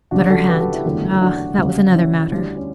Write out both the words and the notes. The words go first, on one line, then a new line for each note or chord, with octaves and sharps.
But her hand--ah, that was another matter.
D2 C#3 G3 D4 F#4
F#4 A4
G4 B4
F#4 A4
E4 G4
F#1 E2 D3 F#3 A3
D4 F#4
D2 C#3 G3
C#4 E4
D2 D3 G3
C#4